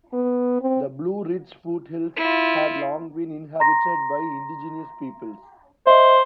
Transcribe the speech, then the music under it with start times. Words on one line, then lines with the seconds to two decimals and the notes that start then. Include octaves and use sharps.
The Blue Ridge Foothills had long been inhabited by indigenous peoples.
0.13 B3
0.61 C4
2.17 E4 F4
3.60 A#5 C6 A#6
5.87 C5 D#5 E5